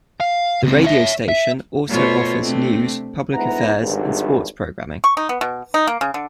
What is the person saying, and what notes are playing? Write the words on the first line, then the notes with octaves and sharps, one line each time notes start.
The radio station also offers news, public affairs, and sports programming.
F5
C#2 C4
C#5 E5
E5
B2 A3 F4 C5 C#5
C3 A3 C4 D4
D2 G#2 B3 E4 F#5 A#5
G#1 E2 G2
C#6
D#4
B3
B2
D#4
A#3
C#3
D3